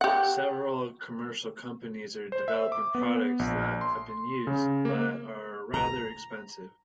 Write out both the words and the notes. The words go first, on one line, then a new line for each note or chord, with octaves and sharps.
Several commercial companies are developing products that have been used, but are rather expensive.
G4 F#5
C5
E5
D6
B3
A#1
C6
C#3
A#3
A#5